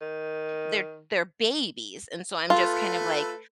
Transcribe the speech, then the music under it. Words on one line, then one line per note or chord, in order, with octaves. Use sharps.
they're they're babies, and so I'm just kind of like,
D#3
A3 F4 A4 B4